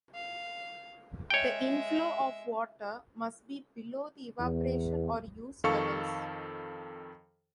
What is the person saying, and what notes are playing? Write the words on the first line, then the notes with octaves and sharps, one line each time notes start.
The inflow of water must be below the evaporation or use levels.
F5
G#3 C#5 E5 G5
E2
F2 D#3 A4 F5 C#6 C#7